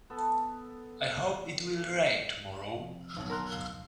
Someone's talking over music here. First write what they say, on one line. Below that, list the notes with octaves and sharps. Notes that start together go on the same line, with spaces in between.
I hope it will rain tomorrow.
B3 A4
C3 F3 C4
B1 B2 D#3
A#4 C6 F6 F#6
F1 D2 F#3 F5